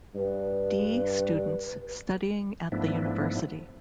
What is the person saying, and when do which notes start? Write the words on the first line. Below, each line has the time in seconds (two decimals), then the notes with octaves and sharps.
D. students studying at the university.
0.15 G2 B4
2.72 G#2 F3 A3 B3 D4 E4